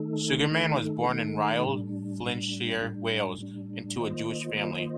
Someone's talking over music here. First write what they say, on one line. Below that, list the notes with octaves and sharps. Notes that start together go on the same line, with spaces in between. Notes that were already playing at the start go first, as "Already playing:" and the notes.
Sugarman was born in Rhyl, Flintshire, Wales, into a Jewish family.
Already playing: D#3 A3 D#4 A4
D#3 A3 D#4 A4
D#3 A3 D#4 A4
A2 G3 D4
A2 G3 D4
A2 G3 D4
A2 G3 D4
D#3 A#3 F4 C5 D#5
D#3 A#3 F4 C5 D#5